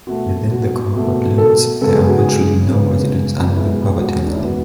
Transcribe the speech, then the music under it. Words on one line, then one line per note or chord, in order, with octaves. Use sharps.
Within the corporate limits, there are virtually no residents under the poverty line.
B2 A3 F#4
F#4
B2 A3
A4
C#3 G#3 B3 A4
G#4
F#4
G#4
C#3 G#3 B3
B2 G#3 B3 E4
F#4
C#4
D4
E4
B2 G#3 B3 F#4